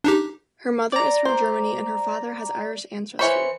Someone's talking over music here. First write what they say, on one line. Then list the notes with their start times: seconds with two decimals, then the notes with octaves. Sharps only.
Her mother is from Germany and her father has Irish ancestry.
0.04 D4 D#4 G4
0.92 D5 A#5
1.25 C5
3.19 E3 C5 C#5 B5 C#7